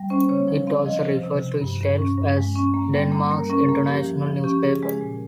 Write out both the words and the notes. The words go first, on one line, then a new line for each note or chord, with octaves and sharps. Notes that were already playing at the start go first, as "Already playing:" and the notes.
It also refers to itself as "Denmark's international newspaper".
Already playing: G3
C#4 C5
C#3 C#5
F3 C#5
C4 F5
F3 D#5
F3 C5
C3
C3
G2
G2
C#4
G2
G#3
C#4
A#3
G3
A#3
A#3 A#4
C#4 A#4
A#3
F3 G4
F3
F3
C#4 G4
C#3 G#4
G#3 G#4
A#2